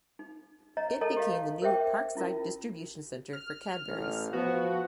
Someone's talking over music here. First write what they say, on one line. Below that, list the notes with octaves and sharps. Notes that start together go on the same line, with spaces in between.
It became the new 'Parkside' distribution centre for Cadbury's.
D#4
C#5 D#5 A#5
A4 A#4 C#5 D#5 A5 A#5
G4 C#5 D#5 F5
A#4 C5 C#5 E5 G5 D6
C#4 E4 F4 A#4
F6
A1
F3 B3 F#4